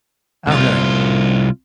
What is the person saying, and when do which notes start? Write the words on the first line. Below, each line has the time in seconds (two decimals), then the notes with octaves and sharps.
Oh, really?
0.47 C2 F4